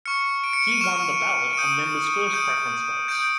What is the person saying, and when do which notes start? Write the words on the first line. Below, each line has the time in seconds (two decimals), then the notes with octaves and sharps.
He won the ballot on members' first preference votes.
0.05 C#6 F6 C#7
0.44 D7
0.53 C#7
0.63 D7
0.72 D#7
0.81 C#6 F6 E7
1.53 D7
1.57 D#6 G6 D#7
2.27 D#7
2.33 D#6 G6 D7
3.08 D#6 G6 D7